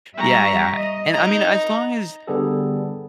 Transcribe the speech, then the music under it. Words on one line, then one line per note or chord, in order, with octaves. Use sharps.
Yeah, yeah. And, I mean, as long as
G3 E5 A#5 C#6 A#6
D#5
D#4 D#5 A#5
D3 G3 B3 G#4 A4